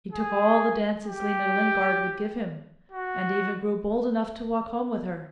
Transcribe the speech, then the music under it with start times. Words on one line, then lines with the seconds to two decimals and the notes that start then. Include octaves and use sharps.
He took all the dances Lena Lingard would give him, and even grew bold enough to walk home with her.
0.13 G#4
1.05 G4
2.92 F#4